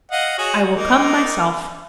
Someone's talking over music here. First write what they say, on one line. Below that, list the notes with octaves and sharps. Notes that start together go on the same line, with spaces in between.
"I will come myself."
D#5 F5 F#5
F#4 G#4 C#5
A#3 D#4